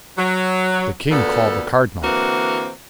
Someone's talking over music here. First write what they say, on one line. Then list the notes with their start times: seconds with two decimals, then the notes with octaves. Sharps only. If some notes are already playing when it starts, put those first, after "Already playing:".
The king called the cardinal.
0.18 F#3
1.10 D2 A#2 B3 A4
2.02 D3 E3 A#3 C4 F#4